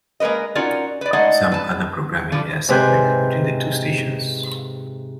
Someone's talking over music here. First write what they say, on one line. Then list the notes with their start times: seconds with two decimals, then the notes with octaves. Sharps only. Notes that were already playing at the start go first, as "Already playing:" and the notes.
Some other programming airs separately between the two stations.
0.20 G#3 A#3 A#4 B4 D#5
0.55 C#4 D#4 F4 F#4 A#4 D5
1.01 B4 D5
1.13 G#3 A3 D#4 D5 D#5 F#5
1.51 B4 A5
2.32 D3 F3
2.68 G#2 C3 B4 G#5 G6